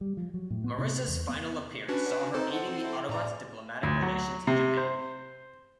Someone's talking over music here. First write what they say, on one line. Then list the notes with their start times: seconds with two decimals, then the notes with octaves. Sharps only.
Marissa's final appearance saw her aiding the Autobots' diplomatic relations in Japan.
0.01 G3
0.17 F3
0.34 F#3
0.50 A2
0.64 B3
0.79 C3
1.08 E2
1.29 B3
1.88 C#4 D4 F#4 B4
2.34 C4 D#4 A4 C5
2.52 F#5
2.80 E4
3.09 A2 D5 A#5
3.83 D2
4.02 F#3
4.47 C3
4.77 C5